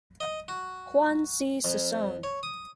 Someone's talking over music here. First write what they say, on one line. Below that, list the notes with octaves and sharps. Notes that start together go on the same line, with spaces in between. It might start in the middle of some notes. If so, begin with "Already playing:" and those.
Juan C. Sison.
D#5
F#4
F2
C#5
D#6